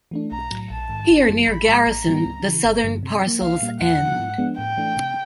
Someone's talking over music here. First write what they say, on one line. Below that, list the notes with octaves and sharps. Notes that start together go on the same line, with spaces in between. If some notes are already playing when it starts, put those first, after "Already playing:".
Here, near Garrison, the southern parcels end.
E3 A3 D4
B1 A#5
A2 F#3
A#1 A5
G#2 D#3
G1
F#2 D#3 F#3
A1 B5
G#2 F3 G#3
A1 A#5
G#2 D#3 G3 B3
C#2
C#3 E3
G1
G2 D3 F3
C3
F3 A#3
C2 F5
A#2 G3 A#3
E2 F#5
C#3 F3
G#2
F3 G#3 B3 D4
A2 G5
E3 A3 D4
C3